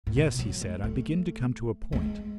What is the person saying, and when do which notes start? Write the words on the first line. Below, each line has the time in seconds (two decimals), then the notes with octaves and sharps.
'Yes,' he said, 'I begin to come to a point.
0.07 A2
0.16 B2
0.39 F#3
0.61 G#3
0.84 A3
1.92 A3
1.96 G#3